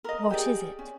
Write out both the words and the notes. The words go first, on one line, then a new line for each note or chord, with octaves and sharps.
"What is it?"
A#4 D#5
G4 G#4 D5
C#4